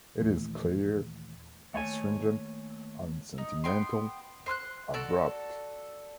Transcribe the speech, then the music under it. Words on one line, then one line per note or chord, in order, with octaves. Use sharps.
It is clear, astringent, unsentimental, abrupt.
D#2 A#2 E3 A3
D#2 A3 C#5 G#5
D#4
B3 C4 G5 C6
C5 C6 F6 F#6
F#4 A4 D5